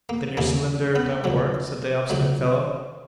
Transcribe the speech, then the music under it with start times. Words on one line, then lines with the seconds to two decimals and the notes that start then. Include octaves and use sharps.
"Then your cylinder don't work," said the obstinate fellow.
0.09 A#3
0.37 D#2 C#3 E3 A#3
0.96 B3
1.24 C#2 C#3 F#3
2.10 C#2 C#3 F#3